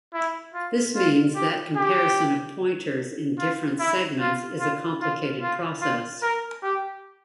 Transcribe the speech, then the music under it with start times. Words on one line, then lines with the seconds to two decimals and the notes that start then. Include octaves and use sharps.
This means that comparison of pointers in different segments is a complicated process.
0.14 E4
0.54 F4
0.95 F4
1.35 G4
1.76 G4
3.38 F4
3.79 E4
4.20 F4
4.60 F4
5.01 F4
5.41 F4
5.82 F4
6.22 A#4
6.63 G4